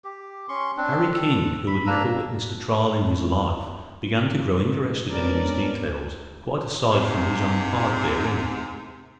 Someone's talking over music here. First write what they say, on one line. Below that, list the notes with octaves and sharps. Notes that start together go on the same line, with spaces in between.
Harry King, who had never witnessed a trial in his life, began to grow interested in these details quite aside from his own part therein.
G4
C#4 C6 C#6
C4 D4
A4
B5
A#3 D4 A#5 E6
G#3 B3 C#4 D4 A#4 D5
G#2 C3